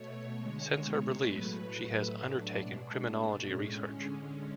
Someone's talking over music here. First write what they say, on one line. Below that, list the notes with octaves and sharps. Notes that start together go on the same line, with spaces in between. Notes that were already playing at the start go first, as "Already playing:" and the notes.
Since her release, she has undertaken criminology research.
Already playing: B2 A3 C#5
G#3
D3
B2 G#3
A2 F#3 A3 B4
A2 F#3 A3
A2 F#3 A3 D4
B2 G#3
B2 A3
A2 G#3 C#4
D3 G#3 C#4